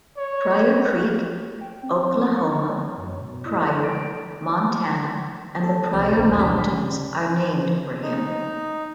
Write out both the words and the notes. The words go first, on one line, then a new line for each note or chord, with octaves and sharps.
Pryor Creek, Oklahoma, Pryor, Montana, and the Pryor Mountains are named for him.
C#5
G5
C4
C4
C#6
C#6
C#5
F#2
B2
E4
D7
A4 A5
C2 F3 G3 C4 D5
A#1 D#2 D3 F3 C4
G#2 C3 G3 D4 D5 B6
D#4